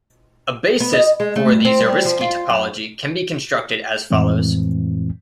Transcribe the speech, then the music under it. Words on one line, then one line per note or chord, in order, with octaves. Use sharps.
A basis for the Zariski topology can be constructed as follows.
B3
D#5
G#3
A3
G2
C4
G3
F3
F4
F#2
F2 A2 E3 G#3 C4